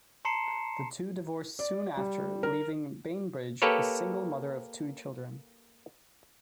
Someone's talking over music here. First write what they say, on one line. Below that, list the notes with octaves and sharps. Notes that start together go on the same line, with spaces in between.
The two divorced soon after, leaving Bainbridge a single mother of two children.
A5 A#5 C6 C7 C#7 E7
D5
G3
A#4
A#3 G4 A4 B4 C#5